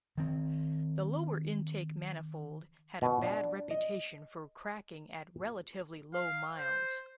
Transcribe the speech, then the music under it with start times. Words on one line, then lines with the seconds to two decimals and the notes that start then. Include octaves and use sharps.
The lower-intake manifold had a bad reputation for cracking at relatively low miles.
0.18 D#3 C4
3.02 B2
3.24 D4
3.71 D#5
6.14 F5
6.57 C5